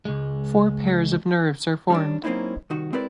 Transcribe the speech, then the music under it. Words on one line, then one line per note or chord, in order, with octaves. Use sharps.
Four pairs of nerves are formed.
C#2 G#3
G3 C#4 D4
F#3 A#3 C4 C#4 D#4 E4
C2 D#3 F#4
G#3 C4 E4 A#4 B4 D5